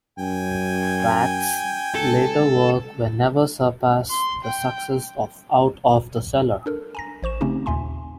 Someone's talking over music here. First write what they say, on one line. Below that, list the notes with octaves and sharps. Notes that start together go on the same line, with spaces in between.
Ratt's later work would never surpass the success of "Out of the Cellar".
F#2 G5 G#5
C#2 A4
C6
G5
D4 A4 A#4
G#5 A#5 A#6
A1 C5 C#6 E7
C#3 A3 C4 C#4 D#4 G4
D#2 A#2 E5 G#5 C6